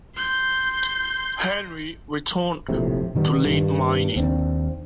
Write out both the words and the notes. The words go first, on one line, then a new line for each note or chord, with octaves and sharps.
Henry returned to lead mining.
C6 G6
F1 A#1 A2 C3
B2 D#3 G3 B3
G2 D#3
D#2 C4 D4